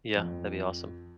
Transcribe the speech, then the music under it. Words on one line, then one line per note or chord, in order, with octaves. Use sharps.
Yeah. That'd be awesome.
F2